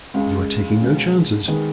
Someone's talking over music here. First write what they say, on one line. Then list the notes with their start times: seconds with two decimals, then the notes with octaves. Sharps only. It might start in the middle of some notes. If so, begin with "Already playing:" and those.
"You are taking no chances."
0.14 C#2 C#3 G#3
0.80 C#2 B2 G#3 C#4
1.48 D#3 G#3 B3